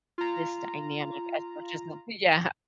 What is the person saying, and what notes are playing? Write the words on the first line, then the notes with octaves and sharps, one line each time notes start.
this dynamic as much as I" Yeah.
F4 A#5